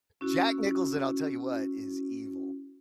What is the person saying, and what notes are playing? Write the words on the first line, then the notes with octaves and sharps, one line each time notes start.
Jack Nicholson, I'll tell you what, is evil.
C#4 E4 F#4